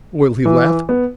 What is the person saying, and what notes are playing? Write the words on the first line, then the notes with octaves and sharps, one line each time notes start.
Will he laugh?
E3
B3